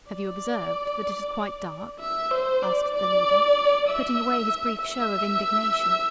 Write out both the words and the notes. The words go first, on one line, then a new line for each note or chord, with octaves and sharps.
"Have you observed that it is quite dark?" asked the leader, putting away his brief show of indignation.
D5
E5
C5
D5
D5
E5
E5